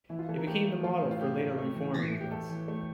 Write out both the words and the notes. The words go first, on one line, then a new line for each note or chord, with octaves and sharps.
It became the model for later reform movements.
E3 E4
F4
E3 A4
A#4
A3 G4
A3
A3 F4
A2
F4
A3 G4
A2
A3
E3
E3
E3
G4
A3 A4
E3
A3